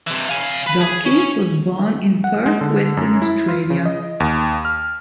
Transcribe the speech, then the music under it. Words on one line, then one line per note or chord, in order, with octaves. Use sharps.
Dawkins was born in Perth, Western Australia.
C3 E3
F5 G#5
B4
G#4
C#4
F#5
G#3
D3
F#2
E4
F4
C#3
D#5
D#2
F6